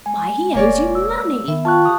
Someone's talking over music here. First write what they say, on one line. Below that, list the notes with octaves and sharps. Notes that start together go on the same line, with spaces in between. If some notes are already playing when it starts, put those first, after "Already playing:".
Why, he owes you money!'
G#3 G#5
E1 A#3 C#5 D5
E6
D#3 B3 E5
F4 F5 G5 A5 C#6 F#6
G4 F5 D#6